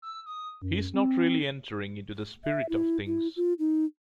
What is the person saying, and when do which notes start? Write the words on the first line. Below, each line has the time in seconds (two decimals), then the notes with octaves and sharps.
He's not really entering into the spirit of things.
0.02 E6
0.26 D#6
0.62 F#2
0.94 C4
2.44 E5
2.69 E4
3.06 E4
3.36 F4
3.59 D#4